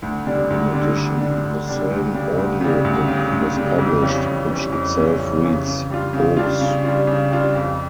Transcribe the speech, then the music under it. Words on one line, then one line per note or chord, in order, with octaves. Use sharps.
In addition, the same audio book was published, which itself reads Boes.
D2
D3 G3 D4
D2
D3 G3 D4
D2
D3 G3 D4
D2
D3 G3 D4
D2
C#3 G3
D2
C#3 G3
D2
C#3 G3
D2
C#3 G3
F2
C#3 E3 G3 C#4
F2
C#3 E3 G3 C#4
F2
C#3 E3 G3 C#4
F2
C#3 E3 G3 C#4
C#3
G3 D4 F4
C#3
G3 D4 F4
C#3
G3 D4 F4
C#3
G3 D4 F4
F2